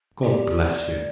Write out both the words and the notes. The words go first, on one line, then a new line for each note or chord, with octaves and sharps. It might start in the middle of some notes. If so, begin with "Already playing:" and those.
God bless you!
G4 D5